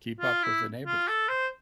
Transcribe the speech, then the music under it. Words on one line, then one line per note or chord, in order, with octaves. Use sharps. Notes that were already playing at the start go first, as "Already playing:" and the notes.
keep up with the neighbors.
F4
E4
F4
A4
C5